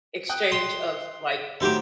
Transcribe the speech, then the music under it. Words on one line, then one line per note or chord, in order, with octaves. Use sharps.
exchange of, like,
G5 D#6 F#6
C6
A2 D#3 F#3 G4 C5 E5